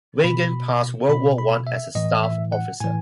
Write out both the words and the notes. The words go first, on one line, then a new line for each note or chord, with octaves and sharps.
Weygand passed World War One as a staff officer.
B2 B5
B2 B5
B5
E5
A2 E3 D#5
E5
F#5
A2 E3 G#5